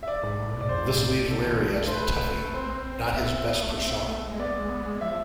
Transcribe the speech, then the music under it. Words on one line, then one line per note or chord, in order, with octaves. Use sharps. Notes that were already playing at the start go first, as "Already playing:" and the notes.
This leaves Larry as the toughie - not his best persona.
E5
D5
G#2
A2
B2
G#2 D5
F2 C5
G#2
A2
C3
C3 A4
E3
G#3
A3
C5
B4
C4 C5
B3 E5
C4
B3
A3
C4 E5
B3
A3
G#3
B3 D5
G#3
B3
G#3
F3 E5